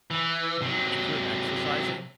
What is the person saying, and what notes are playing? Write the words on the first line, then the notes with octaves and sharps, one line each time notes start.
if you're exercising,
E3
C3 F#3